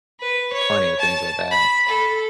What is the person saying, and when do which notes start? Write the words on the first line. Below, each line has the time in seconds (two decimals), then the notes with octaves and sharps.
plenty of things with that.
0.20 B4
0.53 C#5
0.99 A5
1.51 B5
1.89 A4